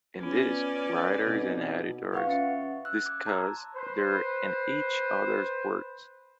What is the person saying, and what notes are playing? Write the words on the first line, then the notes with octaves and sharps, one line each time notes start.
In this, writers and editors discussed their and each other's works.
B3 C#4 F4 B4 D5
B2 C4 D#4 A4
F4 B4 F5 F#5 C#6
C#4 E5 A6 C#7
E6 F#6
D6 G#6
A5 A#5 C6 E6 G#6
B4 C5